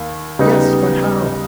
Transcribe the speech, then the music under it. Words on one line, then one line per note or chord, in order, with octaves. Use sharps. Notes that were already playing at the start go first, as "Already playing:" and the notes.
"Yes, but how?"
Already playing: D#2
C#3 G3 B3 D#4